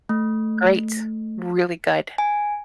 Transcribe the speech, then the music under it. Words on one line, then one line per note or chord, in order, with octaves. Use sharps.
great, really good.
A3
G#5